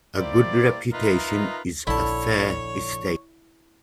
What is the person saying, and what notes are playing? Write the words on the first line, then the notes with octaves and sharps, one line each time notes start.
A good reputation is a fair estate.
A#3 E4 G4 C5 D5
D#4 F4 A#4 B4 D#5 E5
A#1 D3 E4 C#5 A5